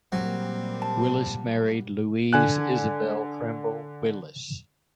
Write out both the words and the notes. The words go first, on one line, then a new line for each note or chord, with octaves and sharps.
Willis married Louise Isabel Trimble Willis.
A#2 F#3 G3 A#3 C4
A5
D3 G#5 F#6